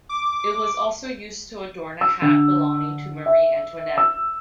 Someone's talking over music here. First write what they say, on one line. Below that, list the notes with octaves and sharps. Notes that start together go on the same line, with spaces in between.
It was also used to adorn a hat belonging to Marie Antoinette.
D6
E6
D3
E5
E6